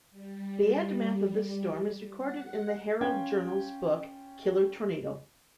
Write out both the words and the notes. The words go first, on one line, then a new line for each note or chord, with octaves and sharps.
The aftermath of this storm is recorded in the Herald Journal's book, "Killer Tornado".
G3
F#5
C#4 F4 G5 G#6